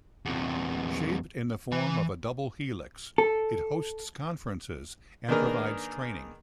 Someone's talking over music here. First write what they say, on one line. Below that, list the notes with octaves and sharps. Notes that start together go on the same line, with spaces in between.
Shaped in the form of a double helix, it hosts conferences and provides training.
E2 C3
E3 G#5
A4
D#3 A#3 D4 G#4 A#4 B4